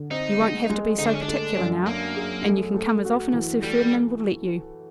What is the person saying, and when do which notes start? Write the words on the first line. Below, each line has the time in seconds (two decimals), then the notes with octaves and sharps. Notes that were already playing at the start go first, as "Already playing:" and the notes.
'You won't have to be so particular now, and you can come as often as Sir Ferdinand will let you.
Already playing: D3
0.11 C4 D#4
0.40 G#3
0.70 G#3
0.98 D3 D#4
1.06 D4
1.15 C#4
1.22 D4
1.28 A3
1.57 F#2
1.86 A#3 D4
2.17 G#4
2.45 A3
2.74 A3
3.05 F#4
3.33 E3
3.62 G3 A3